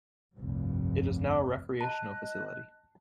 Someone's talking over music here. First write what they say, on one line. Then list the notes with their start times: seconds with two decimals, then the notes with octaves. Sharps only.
It is now a recreational facility.
0.36 F1 C2 G2
1.81 D#5 A5 F#6